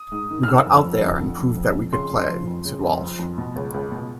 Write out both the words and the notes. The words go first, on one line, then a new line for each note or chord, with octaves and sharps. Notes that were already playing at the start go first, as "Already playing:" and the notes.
"We got out there and proved that we could play," said Walsh.
Already playing: D#6
G#2
D#3
F6
D3 E6
F2
F3
F2
D3
F2
F3
F2
C#3 C6
F2
F3
F2
C#3
F2
F3
F2
B2
C#2
C#2
B2